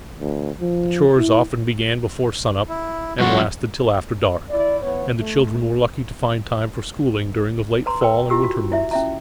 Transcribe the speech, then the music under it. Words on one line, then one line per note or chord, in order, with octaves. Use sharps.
The chores often began before sun-up, and lasted till after dark; and the children were lucky to find time for schooling during the late Fall and Winter months.
D2
F3
E4
E4
G2 F3 F#4
E4 D5
E3 B3 C#5
A3
B4 A#5 C6
A#4 B4 G5
E4 F4 G4 E6
F#4
E4 E5
C#4 E5 A#5